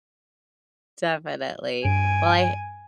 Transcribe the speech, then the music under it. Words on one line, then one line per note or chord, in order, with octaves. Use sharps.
definitely. Well, I
G2 G#5 D7